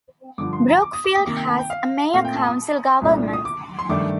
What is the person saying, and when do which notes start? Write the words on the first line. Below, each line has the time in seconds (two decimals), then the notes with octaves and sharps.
Brookfield has a mayor-council government.
0.38 G2 D3 F3 D6
0.53 C6
0.68 A#5
0.82 D6
0.93 D#6
1.04 D6
1.15 D#6
1.26 C3 D#3 A#3 D6
1.37 G5
1.48 A5
1.59 G5
1.70 F5
2.14 A#2 A3 C4 F5
2.25 G5
2.35 A5
2.46 D#6
3.01 C2 A#2 A3 D4
3.33 D#6
3.45 D6
3.79 C6
3.89 G2 D#3 A3 D4 D6